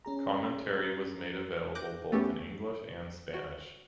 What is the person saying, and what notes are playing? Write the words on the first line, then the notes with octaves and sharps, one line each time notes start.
Commentary was made available both in English and Spanish.
C#4 G#4 A#5
D6 F#6 G6 A#6 D7
A3 B3 C#4 G4
F#4